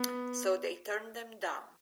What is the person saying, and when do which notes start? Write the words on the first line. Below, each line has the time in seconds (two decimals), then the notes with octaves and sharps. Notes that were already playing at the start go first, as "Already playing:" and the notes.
So they turned them down.
Already playing: B3